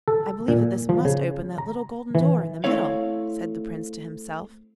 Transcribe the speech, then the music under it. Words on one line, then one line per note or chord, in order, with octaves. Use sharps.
'I believe that this must open that little golden door in the middle,' said the Prince to himself.
A4
A#2
F3
C#3
A#5
E3
A3 C4 E4 C#5 F5